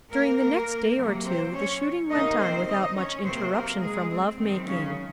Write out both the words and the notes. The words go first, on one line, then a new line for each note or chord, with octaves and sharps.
During the next day or two the shooting went on without much interruption from love-making.
A#3 A#4
A#3 A#4
C3 F#3 A#3
C4 C5
C#4 C#5
C3 D#3 A#3 D#4 D#5
C4 C5
D#4 D#5
C#4 C#5
C3 F#3 A#3 C4 C5
A#3 A#4
G#3 G#4
C4
F#2 D#3 G#3 C4
C#3 C#4